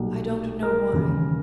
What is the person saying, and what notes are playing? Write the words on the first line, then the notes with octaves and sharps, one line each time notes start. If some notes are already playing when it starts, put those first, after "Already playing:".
I don't know why.
Already playing: B1 A#2 G3
A#4
E1 D#2 C#3